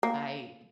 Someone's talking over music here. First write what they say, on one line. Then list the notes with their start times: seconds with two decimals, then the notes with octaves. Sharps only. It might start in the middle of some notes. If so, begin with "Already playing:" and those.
I, d
0.03 A#3